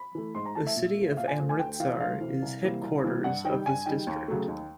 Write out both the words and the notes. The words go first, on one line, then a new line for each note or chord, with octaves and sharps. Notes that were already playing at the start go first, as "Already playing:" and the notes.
The city of Amritsar is headquarters of this district.
Already playing: B5
E3 A3
G#2 C6
A#5
E3 A3 A5
E5
A#2
F3 A3
A#2 F5
G#5
F3 A3
G#5
D2 G5
C3 E3 F5
D2 F5
C3 E3
C2
C3 E3 G3 A#3
C2
C3 E3 G3 A#3
G2 F#5
D#3 G3 G5
G2 G#5
D#3 G3 G5
D#2
C#3 F#3 A3
D#2